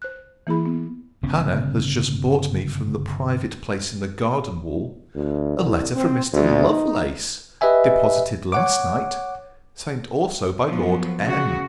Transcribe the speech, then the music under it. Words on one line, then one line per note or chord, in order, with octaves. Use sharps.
Hannah has just brought me from the private place in the garden-wall, a letter from Mr. Lovelace, deposited last night, signed also by Lord M.
C5 F#6
E3 A#3 E4 G#4 B5
B3
G1 C#3 B3 C#4
D2
C2
C4
D2
D#4
G4 B4 D#5 E5 G#5
C#5 F#5 D6
F3 F#3 B3
C#3 F#4